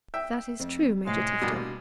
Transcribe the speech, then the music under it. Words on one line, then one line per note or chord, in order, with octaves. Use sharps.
"That is true, Major Tifto."
E5 G5
F2 C4
A2 C3 G#3 F5
B2 G3 A#3 D4 A5